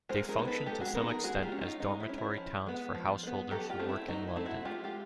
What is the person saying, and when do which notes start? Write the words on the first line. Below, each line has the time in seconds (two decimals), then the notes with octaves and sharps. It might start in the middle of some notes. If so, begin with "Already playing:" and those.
They function to some extent as dormitory towns for householders who work in London.
0.09 G#3 A#4 C5
0.29 G#4 A#4
0.38 B3 D#4
0.48 A4 B4
0.66 G#3 G4 A4
0.81 F#4 G#4
0.95 B3 D#4 G#4 A#4
1.09 G#4 A#4
1.24 G#3 F#4 G#4
1.43 F4 G4
1.52 C#4
1.61 D#4 F4
1.80 G#3 D#4
2.00 E4
2.09 C#4
2.18 E4
2.37 F3
2.67 G#3 B3
2.95 F3
3.23 G#3 B3
3.51 F#3 G4 A4
3.70 F4 G4
3.79 A3 C4
3.89 E4
4.08 F#3 D#4
4.27 E4
4.36 A3 C4
4.45 E4 F#4
4.65 G#3 F4 G4
4.84 F4 G4